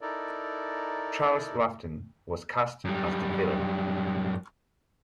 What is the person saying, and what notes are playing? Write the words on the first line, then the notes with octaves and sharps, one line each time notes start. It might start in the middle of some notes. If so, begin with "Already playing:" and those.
Charles Laughton was cast as the villain.
D#4 E4 A4 A#4 D5
F#2 G3